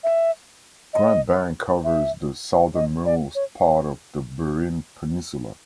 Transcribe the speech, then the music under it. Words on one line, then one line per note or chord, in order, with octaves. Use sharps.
Grand Bank covers the southernmost part of the Burin Peninsula.
E5
D#5
E5
D#5
D5
C#5